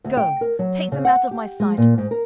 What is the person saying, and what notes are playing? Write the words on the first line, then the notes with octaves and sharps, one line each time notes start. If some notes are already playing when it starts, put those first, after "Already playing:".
Go, take them out of my sight!
D2
G5
A#4
F#3
C#3
F#5
G4
G#3
A#2
G#2
A#4